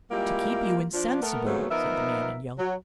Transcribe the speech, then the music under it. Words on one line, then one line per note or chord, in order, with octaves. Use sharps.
"To keep you insensible," said the man in yellow.
G3 G#3 A#3 E4 F4 G4
F3 D4
A3 B3 A#4
D#2 G#2 D3 F#3 A3 B3
F3 B3 D#4 A#4 E5
F#3